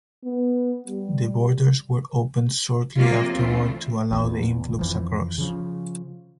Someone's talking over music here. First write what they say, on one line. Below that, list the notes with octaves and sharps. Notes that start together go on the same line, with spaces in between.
The borders were opened shortly afterward to allow the influx across.
B3
G3
C3 F3 F#3 G#3 A#3 F4
D2 E3 A3 C4 F4
A1 E2
F2 E3 F3
C#3 F3